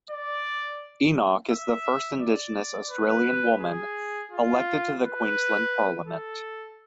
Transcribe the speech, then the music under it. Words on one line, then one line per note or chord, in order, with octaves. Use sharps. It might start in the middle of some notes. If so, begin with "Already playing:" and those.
Enoch is the first Indigenous Australian woman elected to the Queensland parliament.
D5
E5
D5
B4
G#4
F4
B4
A4